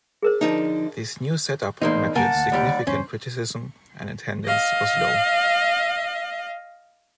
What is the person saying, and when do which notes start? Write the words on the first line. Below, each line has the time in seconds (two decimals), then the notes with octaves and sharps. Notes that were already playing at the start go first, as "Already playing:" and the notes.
This new setup met with significant criticism and attendance was low.
0.23 G#4 A#4 C5
0.41 D3 F3 D#4
1.82 A#1 E2 E3 A3 A#3 D#4 C5
2.15 F#2 C#3 A#3 A#4 F#5 G#5 A5
2.35 D2
2.52 D#2 G3 G4 D5
2.87 E2 G2 C#3 C#4 C5
4.45 D#5 F5